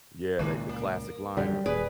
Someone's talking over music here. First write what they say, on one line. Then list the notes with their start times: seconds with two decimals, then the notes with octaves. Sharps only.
Yeah, they the classic line of
0.39 C#2 A#2 D#3
0.69 A#3
1.37 F#2 D3 G3
1.66 D#1 G#4 B4 D5